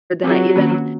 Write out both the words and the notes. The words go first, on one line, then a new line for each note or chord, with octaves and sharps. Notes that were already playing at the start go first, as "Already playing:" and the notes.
Then I even
F#3 C4 F4 G#4
D#3 A#3 C#4